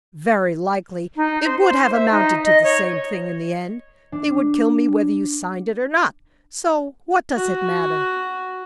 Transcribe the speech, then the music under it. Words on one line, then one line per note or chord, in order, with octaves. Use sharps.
"Very likely it would have amounted to the same thing in the end--they would kill me whether you signed it or not; so what does it matter?"
D#4
C5
C5
E5
D#4
D#5
C#5
D4
F#4